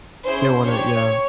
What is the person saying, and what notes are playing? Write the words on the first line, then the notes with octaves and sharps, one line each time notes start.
they wanna yeah.
C#4 E4 G#4 C5
D4 G4 C#5